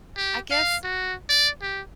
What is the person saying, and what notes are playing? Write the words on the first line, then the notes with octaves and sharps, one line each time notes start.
I guess,
G4
F5
F#4
D5
G4